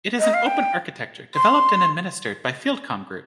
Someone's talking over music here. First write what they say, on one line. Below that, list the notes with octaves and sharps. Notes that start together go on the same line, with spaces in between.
It is an open architecture, developed and administered by FieldComm Group.
D#5
F5
G5
C6